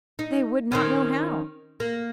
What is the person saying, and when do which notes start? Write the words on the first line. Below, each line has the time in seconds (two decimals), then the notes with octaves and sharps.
They would not know how.
0.19 D#4
0.72 D#3 C4 C#4
1.80 A#3